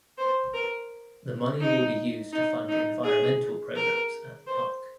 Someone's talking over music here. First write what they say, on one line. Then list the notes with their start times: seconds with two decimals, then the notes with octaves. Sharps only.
The money will be used to fund environmental programs at the park.
0.18 C5
0.54 A#4
1.61 D#4
2.32 D#4
2.68 D#4
3.04 G#4
3.76 A#4
4.47 C5